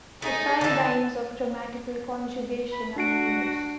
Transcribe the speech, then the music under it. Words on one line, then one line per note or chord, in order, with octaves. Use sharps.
The paradigms of grammatical conjugation are numerous.
A3 D#4 G#4
D3 E3 A5
B5
D4 F#4 C7 D7